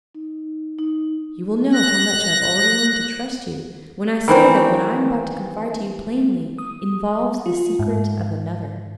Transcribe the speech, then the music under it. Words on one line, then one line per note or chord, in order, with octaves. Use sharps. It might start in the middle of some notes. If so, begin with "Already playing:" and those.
"You will know how much I have already learned to trust you when I say that what I am about to confide to you plainly involves the secret of another."
D#4
D#4
F#6 A#6
D#3 E3 C4
D#6
F4
G#2